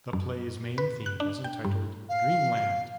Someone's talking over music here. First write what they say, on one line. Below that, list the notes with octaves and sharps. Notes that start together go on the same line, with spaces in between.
The play's main theme is entitled 'Dreamland'.
F#2
B4
F#6
D4
G5
G2
F5